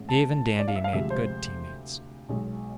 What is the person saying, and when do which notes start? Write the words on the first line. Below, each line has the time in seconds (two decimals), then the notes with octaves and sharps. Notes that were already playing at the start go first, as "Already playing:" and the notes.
Dave and Dandy made good team-mates.
Already playing: A1 A2 G#3
0.09 A5
0.59 D5
0.68 F5
0.76 E5
0.84 F5
0.93 D2 C3 F3 G#3 E5
1.10 C5
2.29 B1 B2 G#3